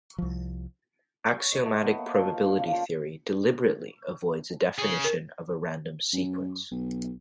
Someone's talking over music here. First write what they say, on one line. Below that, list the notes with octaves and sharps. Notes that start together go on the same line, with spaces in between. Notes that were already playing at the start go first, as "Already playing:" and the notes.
Axiomatic probability theory "deliberately" avoids a definition of a random sequence.
C2 F3
C#5
D#5
A3
B3
A#3
F3
F5
D5
C#3
F3
G#4 C#5
A#4
F#2
B1